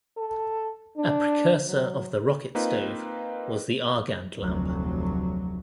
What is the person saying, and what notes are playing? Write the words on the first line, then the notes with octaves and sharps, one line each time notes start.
A precursor of the rocket stove was the Argand lamp.
A4
D4
F#3
A#3 C4 D#4 F4 B4
F1 D2 F#3